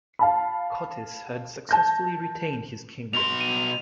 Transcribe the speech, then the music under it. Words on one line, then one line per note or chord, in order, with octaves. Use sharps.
Cotys had successfully retained his kingdom.
F5 A5 B5
A5 G6 A#6
B2 C6 F7
D#7